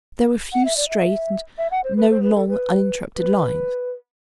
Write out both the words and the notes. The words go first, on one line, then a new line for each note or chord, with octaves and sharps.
There were few straight, and no long uninterrupted lines.
F#5
E5
D5
E5
E5
F#5
C5
B4
C5
B4
A4
B4
B4